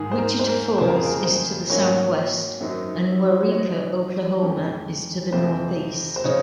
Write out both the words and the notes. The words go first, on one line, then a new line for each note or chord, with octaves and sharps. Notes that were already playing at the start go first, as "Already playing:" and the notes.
Wichita Falls is to the southwest, and Waurika, Oklahoma, is to the northeast.
Already playing: G#2 D#3 G#3 G#4
C5
A#4
C5
A#4
F2 C#3 F3 A#3 C5
A#4
G#4
A#4
C5
G#2 F#3 A#3 C#4 C#5
F#2 D#3 F#3 C4 D#4
C#5
D#3 F#3 C4 D#5
F2 D#3 G#3 C#4
F2 C3 F3 C5
C5
C#3 F3 C4 D#4 C#5